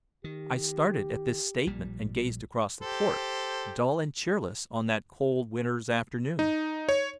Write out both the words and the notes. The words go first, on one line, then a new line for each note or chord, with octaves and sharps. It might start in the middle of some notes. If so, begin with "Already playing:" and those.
I started at this statement, and gazed across the court--dull and cheerless on that cold winter's afternoon.
D#3 G4
A#1 A#2 G3
G4 A4 C5
D#4
C#5